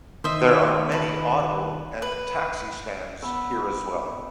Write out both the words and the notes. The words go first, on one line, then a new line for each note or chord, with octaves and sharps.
There are many auto and taxi stands here as well.
D#3 C5 D#5 E5
B4 A5
B4
B3 B5 E6